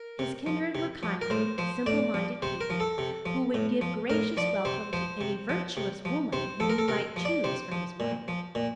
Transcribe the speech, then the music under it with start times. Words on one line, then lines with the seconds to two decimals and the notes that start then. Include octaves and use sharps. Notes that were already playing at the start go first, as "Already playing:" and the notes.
His kindred were kindly, simple-minded people, who would give gracious welcome to any virtuous woman whom he might choose for his wife.
Already playing: A#4
0.19 C3
0.46 F3
0.75 C3
1.03 F3
1.21 A#4
1.30 A2 C5
1.58 F3 C5
1.86 A2 D5
2.14 F3
2.42 C3 C5
2.61 A#4
2.70 F3
2.80 A4
2.98 C3
3.26 F3
3.54 A2
3.81 F3
4.10 A2 A#4
4.37 F3 D5
4.65 C3 C5
4.93 F3 C5
5.21 C3
5.49 F3
5.77 C3
6.05 F3
6.33 C3 C5
6.60 F3 A4
6.69 A#4
6.78 A4
6.88 C3 A#4
7.16 F3
7.25 D5
7.44 C3 C5
7.72 F3
8.00 A#2
8.28 F3
8.55 A#2